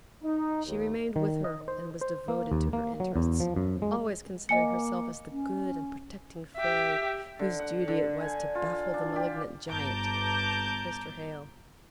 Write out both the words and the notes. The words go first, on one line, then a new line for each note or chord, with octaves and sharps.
She remained with her, and was devoted to her interests; always considering herself as the good and protecting fairy, whose duty it was to baffle the malignant giant, Mr. Hale.
D#4
D#2
D#3
D#5
C5
C5
A#3
D#2
A#3
F#3
E2
F3
F#2
G#3
A#3 D#5 G#5 C#7
C#4
G4 E5
D3
F#5
D3
G#5
F4
D4
G4
G1 A5 A#5 D6 G6